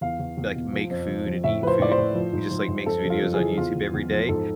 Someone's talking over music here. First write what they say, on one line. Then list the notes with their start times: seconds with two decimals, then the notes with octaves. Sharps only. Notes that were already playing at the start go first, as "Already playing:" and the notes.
like, make food and eat food. He just, like, makes videos on YouTube every day, and
0.01 E2 F5
0.19 E2
0.37 E2
0.55 B2
0.73 F3
0.90 F2
1.08 F3
1.26 F2
1.44 A2 E5
1.62 F3 B4
1.67 C5
1.79 A2 D5
1.91 C5
1.98 A2
2.15 F3
2.33 G#2
2.51 F3
2.68 G#2
2.86 F2 A4
3.04 F2
3.10 F4
3.22 F2
3.34 G#4
3.40 E3
3.57 E2 F4
3.75 E2
3.93 E2
4.11 F3
4.29 G#2 A4